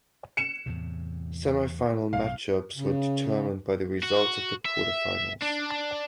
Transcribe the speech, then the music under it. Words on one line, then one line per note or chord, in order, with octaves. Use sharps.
Semifinal matchups were determined by the results of the quarterfinals.
C#7 E7
E2 A2 C3
B1 G2 B2 F5
C#3
F#4
E5
D4